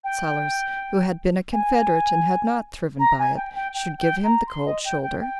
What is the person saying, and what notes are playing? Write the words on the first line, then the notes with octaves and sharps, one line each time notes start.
Sellers, who had been a confederate and had not thriven by it, should give him the cold shoulder?
G5
G#5
A#5
G#5
G5
G5
G5
G5
A#5
C6
D#5
G5
G5
G5